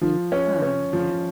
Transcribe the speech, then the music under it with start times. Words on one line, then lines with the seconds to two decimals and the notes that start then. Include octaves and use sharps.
M yeah, yeah.
0.01 F3
0.32 C#4
0.62 C#4
0.93 F3